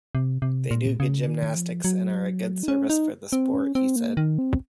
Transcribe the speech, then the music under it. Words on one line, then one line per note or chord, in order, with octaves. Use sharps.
"They do good gymnastics and are a good service for the sport," he said.
C3
C3
A#2
C#3
D#3
F3
F#3
D#4
C#4
D#4
C4
C#4
C4
A#3
D#3
C4